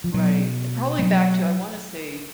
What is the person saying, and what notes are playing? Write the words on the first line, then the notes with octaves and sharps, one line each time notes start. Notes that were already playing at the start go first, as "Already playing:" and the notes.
Right, probably back to I wanna say,
F3
B2 F#3
G3
F#3